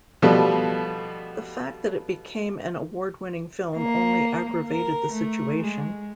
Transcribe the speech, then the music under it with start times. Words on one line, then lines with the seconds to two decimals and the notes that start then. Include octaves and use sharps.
The fact that it became an award-winning film only aggravated the situation.
0.22 B2 F3 G3 A3 B3
3.77 A#3
4.70 A#4
5.12 A3
5.60 G#3